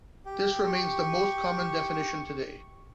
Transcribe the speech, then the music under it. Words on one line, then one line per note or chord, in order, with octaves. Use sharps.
This remains the most common definition today.
G4
C#6